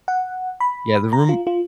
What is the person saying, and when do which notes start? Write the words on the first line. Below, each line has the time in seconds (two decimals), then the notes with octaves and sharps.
Yeah, the room
0.08 F#5
0.60 B5
1.13 A#5
1.29 F4
1.47 F4